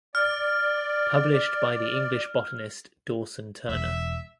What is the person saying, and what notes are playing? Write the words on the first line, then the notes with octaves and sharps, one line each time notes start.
Published by the English botanist Dawson Turner.
D5 F6
E1 E5